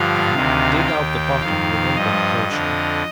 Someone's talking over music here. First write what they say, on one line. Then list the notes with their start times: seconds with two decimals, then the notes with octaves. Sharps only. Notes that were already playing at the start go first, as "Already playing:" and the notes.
Then, dig out the bottom within the enclosure.
Already playing: G2 D3 F3 F5
0.34 D2 C3 D#3
0.87 D#2 D#3 G5
1.41 F2 D#3 F5
1.96 G2 F3 D#5
2.49 F2 D3 F3